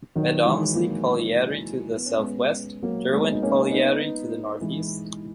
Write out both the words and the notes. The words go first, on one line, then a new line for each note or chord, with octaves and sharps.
Medomsley Colliery to the south west; Derwent Colliery to the north east.
D#3 F#3
E3 G#3
F#3 A#3
B3
C#4
G#3 B3
F#3 A#3
G#3 B3
D#4
A#3 C#4
B3 D#4
E3 G#3